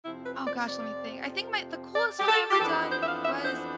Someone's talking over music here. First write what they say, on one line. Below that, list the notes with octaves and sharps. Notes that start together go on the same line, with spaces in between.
Oh, gosh, let me think. I think my the coolest one I ever done was
F2 C3 F3 C4 E4
B4
D5
D5
D5
G4
A4
G4
F2 E3 B3 D4 A4
C5
E5
F5
E5
C5